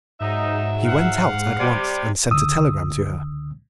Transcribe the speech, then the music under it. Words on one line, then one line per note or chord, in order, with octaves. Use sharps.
He went out at once and sent a telegram to her.
G#2 F#3 D#4 E5
F5 F#5
C3 G3
C#2 D3 D#6 E6